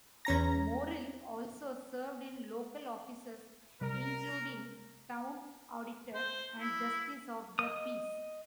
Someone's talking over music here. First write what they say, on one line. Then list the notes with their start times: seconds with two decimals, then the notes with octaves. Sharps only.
Morrill also served in local offices including Town Auditor and Justice of the Peace.
0.25 E2 C#4 A#5 A#6
3.81 C3 G3 A#4
6.14 C5
6.60 E4
7.59 D#5 D#6